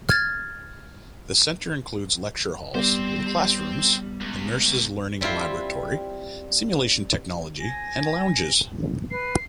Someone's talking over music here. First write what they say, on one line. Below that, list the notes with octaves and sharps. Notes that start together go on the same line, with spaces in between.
The Center includes lecture halls, classrooms, a nurses' learning laboratory, simulation technology, and lounges.
F6 G#6 A6
G3 B3 C4 C5
C#2
G3 C4 E4 F4 C5
G#5 A#6
B4 C7